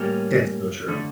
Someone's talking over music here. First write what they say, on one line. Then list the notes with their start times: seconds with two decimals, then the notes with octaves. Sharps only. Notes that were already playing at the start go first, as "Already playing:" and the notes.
That's so true.
Already playing: A2 G3 A#3 C#4
0.88 D3 A3